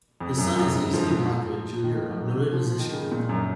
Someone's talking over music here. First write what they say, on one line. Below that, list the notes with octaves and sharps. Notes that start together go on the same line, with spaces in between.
His son is Easley Blackwood Junior a noted musician.
F2
F#2
F#2
G#2
F3
F3
D#3
F3
F#3
F#3
F3
F3
D#3
C#3
A#2
F#2